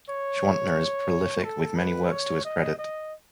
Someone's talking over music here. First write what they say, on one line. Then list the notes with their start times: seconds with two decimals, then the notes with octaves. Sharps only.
Schwantner is prolific, with many works to his credit.
0.10 C#5
1.44 A4
1.76 B4
2.11 C#5
2.45 D#5
2.78 D#5